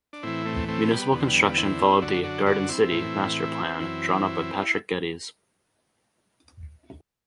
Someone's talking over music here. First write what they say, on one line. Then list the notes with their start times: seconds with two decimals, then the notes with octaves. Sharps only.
Municipal construction followed the "garden city" master plan drawn up by Patrick Geddes.
0.13 D4
0.23 A2 E3 C4 E4
0.45 A3 C4
0.68 A3 C4
0.90 G3 B3
1.12 E2 B3
1.15 D3 C4
1.27 G3 B3
1.57 C4 E4
2.01 F#2 D3 D4 F#4
2.23 D4 F#4
2.46 D4 F#4
2.69 C4 E4
2.91 A2 E3
3.80 F#2 E3